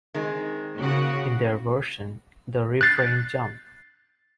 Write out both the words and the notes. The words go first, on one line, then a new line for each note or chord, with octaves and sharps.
In their version, the refrain Jump!
D#3 G#3 C4
C#3 A#3 F#4 F#5
F#6 G6 A6 C7